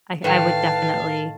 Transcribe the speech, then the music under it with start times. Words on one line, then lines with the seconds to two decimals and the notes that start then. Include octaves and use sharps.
I I would definitely
0.24 A2 D#3 B4 F5 G5 A5